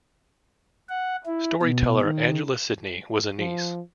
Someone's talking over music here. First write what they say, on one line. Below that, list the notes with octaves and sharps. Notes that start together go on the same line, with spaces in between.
Storyteller Angela Sidney was a niece.
F#5
E4
B2
D#3
F3